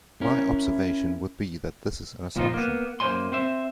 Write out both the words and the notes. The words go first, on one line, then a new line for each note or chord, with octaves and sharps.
My observation would be that this is an assumption.
C#4 E4 A#4
A#2 F3 D#4 F4
A#3 B3
F#2 A#3 C5 C#5 G#5 C6
C4 C5 E5